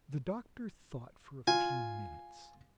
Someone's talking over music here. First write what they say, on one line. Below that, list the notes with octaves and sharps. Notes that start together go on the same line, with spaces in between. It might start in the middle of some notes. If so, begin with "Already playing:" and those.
The doctor thought for a few minutes.
F4 G#5